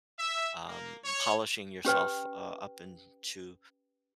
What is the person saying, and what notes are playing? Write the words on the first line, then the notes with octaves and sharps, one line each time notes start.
um, polishing yourself, uh, up into
E5
A#3
C#5
C#4 G4 B4 G5